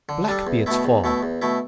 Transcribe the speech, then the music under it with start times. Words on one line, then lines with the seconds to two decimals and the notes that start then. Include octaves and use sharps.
Black be its fall!
0.09 D3
0.28 G3 D4 A4
0.47 E2
0.66 B2 A3 E4
0.84 E2
1.04 B2 A3 E4
1.23 E2
1.42 B2 A3 E4